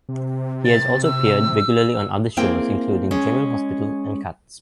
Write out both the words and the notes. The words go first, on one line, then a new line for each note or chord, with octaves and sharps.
He has also appeared regularly on other shows, including "General Hospital" and "Cuts".
C3
A6
E6
A#3 C4 E4 G#4 G5
G#3 C#4